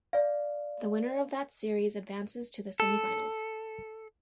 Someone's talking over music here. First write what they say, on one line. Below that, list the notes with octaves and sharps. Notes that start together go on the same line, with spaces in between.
The winner of that series advances to the semifinals.
D5 F5
A4